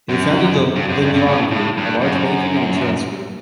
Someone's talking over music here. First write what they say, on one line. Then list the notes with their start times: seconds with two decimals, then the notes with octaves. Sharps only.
He founded the Lin Yuan Group, a large banking and insurance group.
0.09 F#2
0.76 G2
0.88 F#2
1.01 G2
1.14 G2
1.26 A2
1.51 A2
1.77 G2
2.01 F#2